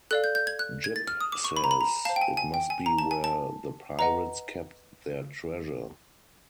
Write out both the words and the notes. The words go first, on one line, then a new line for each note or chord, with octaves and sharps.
Jip says it must be where the pirates kept their treasure.
A4 D5 F5 F#6
G6
G6
G#6
F#6
G#6
A6
F6
D#6
D6
C#6
B5
A#5
B5
A#5
C5 F5 A5
G5
G#5
G#5
G5
G#5
A#5
A5
G#5
A5
B4 D#5 F#5 A#5